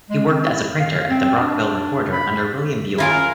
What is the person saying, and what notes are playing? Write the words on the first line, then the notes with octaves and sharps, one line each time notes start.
He worked as a printer at the "Brockville Recorder" under William Buell.
G#3
C4
E4
F5
C4
D4
B5
E4 F4 G#4 A#4